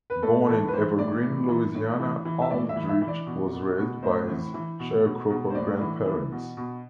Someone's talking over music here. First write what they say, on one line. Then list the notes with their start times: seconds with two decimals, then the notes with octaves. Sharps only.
Born in Evergreen, Louisiana, Aldridge was raised by his sharecropper grandparents.
0.10 B4
0.23 A2 A4
0.48 E3 A4
0.68 B4
0.73 E3 C5
0.98 A2 D5
1.24 E3
1.49 E3
1.75 A2
2.00 E3
2.25 E3
2.42 E5
2.50 A2 D5
2.69 E5
2.76 E3
2.89 E5
3.02 E3
3.08 D5
3.26 B2
3.53 B2
3.78 B2
4.03 A2 C5
4.28 E3
4.54 E3
4.79 B2
5.04 B2
5.30 B2
5.50 C5
5.55 A2 D5
5.81 E3
6.06 E3
6.32 B2
6.57 B2